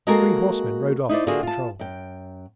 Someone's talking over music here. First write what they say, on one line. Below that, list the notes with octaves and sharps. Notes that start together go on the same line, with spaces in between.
Three horsemen rode off to patrol.
G#3 A#3 F#4 A4 A#4 G#5
D#4 E4 C5 D5
D3 A#3 F4 F#4 G#4
F4 A5
F#2 G5